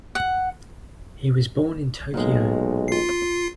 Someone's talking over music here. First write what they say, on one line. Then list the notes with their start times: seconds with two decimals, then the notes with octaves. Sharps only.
He was born in Tokyo.
0.15 F#5
2.14 B1 A#2 G#3
2.88 F4 C7